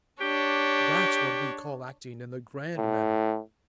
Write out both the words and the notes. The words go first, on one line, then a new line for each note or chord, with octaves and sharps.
That's what we call acting in the grand manner.
D4 G4 C#5
A2